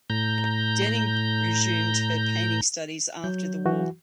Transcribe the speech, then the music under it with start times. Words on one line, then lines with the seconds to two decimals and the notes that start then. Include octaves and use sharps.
Denning resumed her painting studies after the war.
0.10 A2 A#5 G6
3.24 F#3 G6
3.65 E3 F#4